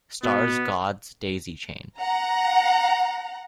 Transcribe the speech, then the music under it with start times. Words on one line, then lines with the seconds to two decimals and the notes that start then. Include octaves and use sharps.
Stars God's daisy chain.
0.23 B2 B3
1.99 F#5 A#5